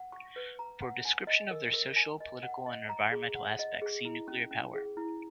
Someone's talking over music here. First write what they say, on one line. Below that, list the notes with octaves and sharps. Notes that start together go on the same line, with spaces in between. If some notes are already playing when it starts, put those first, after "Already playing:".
For a description of their social, political, and environmental aspects, see nuclear power.
Already playing: F#5
C#6
B4
A#5
F#5
G#5
D#5
A#4
A#4
G#5
D#5
F#5
D#5
A#5
G#4
F#5
D#5
G#4
E4
C#4
C#4
G#4
E4